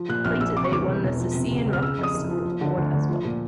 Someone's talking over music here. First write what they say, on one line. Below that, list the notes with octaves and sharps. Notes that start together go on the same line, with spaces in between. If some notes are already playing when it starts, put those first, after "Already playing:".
Later they won the "Sisian Rock Festival" award as well.
Already playing: F3
A#2 F#6
A#1 F6
A#1 E6
C3 D6
C#6
E2 D6
E1
E1
F3
C3
C#2
C#2
F6
C#3 E6
F2
D#6
F#1
F3
F3
D3
D2
D2
F3
A#2